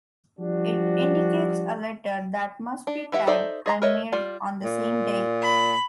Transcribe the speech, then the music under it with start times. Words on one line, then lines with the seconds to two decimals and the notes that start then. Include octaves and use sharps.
It indicates a letter that must be typed and mailed on the same day.
0.39 F3 G3 D4 F#4
2.87 D4
3.12 E3 G4 E5 F#5
3.27 D#4 A4 C5 D5 E5
3.66 G#4 D#5 A#5
3.82 A#4 B4 C#5 D#5 E5
4.12 G3 F4 D5
4.64 A#2
5.43 B5